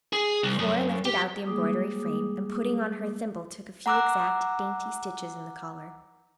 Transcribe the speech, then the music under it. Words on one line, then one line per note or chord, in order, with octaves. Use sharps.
Flora lifted out the embroidery frame, and putting on her thimble took a few exact, dainty stitches in the collar.
G#4
C2
F#2
G4
G3 G#3 A#3 G#4 D6 D#6
F#5 A#5 D6 E6 F#6